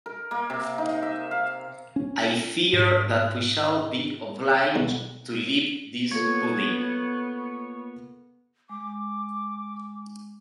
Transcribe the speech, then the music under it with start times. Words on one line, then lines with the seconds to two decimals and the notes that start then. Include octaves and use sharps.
I fear that we shall be obliged to leave this pudding.
0.06 A#4
0.31 A#3
0.50 C3
0.78 D#4
1.02 E5
1.31 F5
1.96 C#4
2.73 G#2
4.76 B1
6.11 A#3 B3 F4 A4 C#5
8.69 G#3 D6